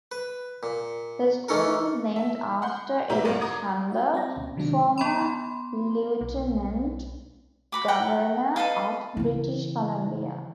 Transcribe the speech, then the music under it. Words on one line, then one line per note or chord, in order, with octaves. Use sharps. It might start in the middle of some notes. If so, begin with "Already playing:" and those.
The school is named after Eric Hamber, former Lieutenant Governor of British Columbia.
B4
A#2
E3 A3 C#4 A4 A#4
E5
F#5 B5 C6 G6
B1 B3 G4 E5 A#5
A1 G2 F4 A#4 D5 D#7
A#5 D6 D#6 G#6
F#4 E5 F#5
C4 D5 G5 A#6
D2 B2 C#4
C3 D#3 F#3 G#3 D4
B3 B5 C6
B1
F#4 B5 D6
F#5 G5 A#5 B5
A4 B4 D#5 F5
C#3 E3